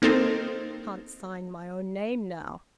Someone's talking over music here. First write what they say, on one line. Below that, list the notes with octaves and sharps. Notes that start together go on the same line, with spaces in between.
I can't sign my own name now.
A#3 C4 D#4 A4 A#4 C5